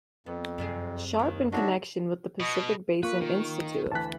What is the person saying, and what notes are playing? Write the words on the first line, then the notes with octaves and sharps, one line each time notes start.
Sharpe in connection with the Pacific Basin Institute.
F2 B3
F#2 C3 G3 C4 G#4
D#2 D#3
D3 F#3 A3 D4 D#4 F#4
B2 D#5
A#3 F4 B4 C#6
D#3
D2 E3 A5 F#6 B6